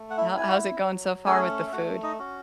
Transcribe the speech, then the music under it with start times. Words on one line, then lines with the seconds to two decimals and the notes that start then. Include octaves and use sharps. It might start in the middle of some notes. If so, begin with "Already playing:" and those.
How how's it going so far with the food?
Already playing: A3
0.10 F#5
0.17 E4 E5
0.33 E4 G#5
0.48 F#4 F#5
0.80 F#3
1.26 A3 C#4 G#4 G#5
1.67 E5
1.72 A3 F#4 F#5
2.03 D#4 D#5
2.19 C#4 F#4